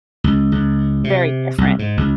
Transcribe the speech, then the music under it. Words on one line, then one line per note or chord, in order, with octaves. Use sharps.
Very different.
C#2
C#2
C3
C2
G#2
C#2